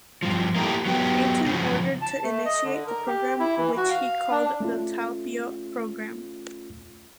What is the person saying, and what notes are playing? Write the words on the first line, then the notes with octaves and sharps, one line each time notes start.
Eitan ordered to initiate the program which he called the Talpiot program.
G2 F3
A#3 D#4 E4 G4 A4
F#3 B3 G4
F#2 C#3 F3
A5
A3
D#5
D3
A#4
G4
E4
E3
F#4
F5
D4
A3 C#4 F4